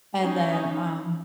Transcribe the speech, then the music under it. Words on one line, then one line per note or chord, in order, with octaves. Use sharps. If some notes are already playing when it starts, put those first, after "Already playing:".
and then, um,
C#4 D#4